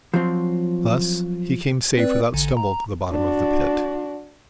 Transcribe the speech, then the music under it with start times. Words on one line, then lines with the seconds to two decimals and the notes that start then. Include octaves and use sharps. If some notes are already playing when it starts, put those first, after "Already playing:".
Thus he came safe without stumble to the bottom of the pit.
0.14 F3 F#3 C4
1.97 C4 B4 D5
2.34 A1 D3
2.57 A#5
3.12 D4 F#4